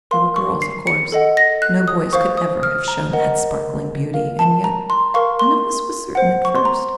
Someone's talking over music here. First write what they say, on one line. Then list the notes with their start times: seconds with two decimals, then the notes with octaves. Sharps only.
They were girls, of course, no boys could ever have shown that sparkling beauty, and yet none of us was certain at first.
0.11 A#4 F5 C6
0.36 C#6
0.62 C7
0.87 C#7
1.12 A4 D#5 F#5
1.37 A#6
1.62 F#6
1.88 D#6
2.13 C5 F5 C#6
2.37 D#6
2.63 F6
2.88 A#5
3.13 A#4 D#5 F#5
4.14 A#4 F5
4.39 A5
4.64 A#5
4.90 C6
5.14 A#4 F5 C#6
5.39 C6
6.15 C5 F#5
6.45 C#6
6.55 C6
6.65 A#5